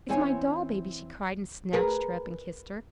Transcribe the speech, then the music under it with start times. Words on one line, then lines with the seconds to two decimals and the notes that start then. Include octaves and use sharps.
"It's my doll-baby!" she cried, and snatched her up and kissed her.
0.09 E3 C4 C5 C#5 G#5
1.73 G#4 A#4 B4